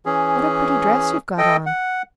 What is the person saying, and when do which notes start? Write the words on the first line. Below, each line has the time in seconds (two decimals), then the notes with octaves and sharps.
"What a pretty dress you've got on!"
0.06 E3 C#4 G#4
1.38 A4 D#5 G5
1.66 F#5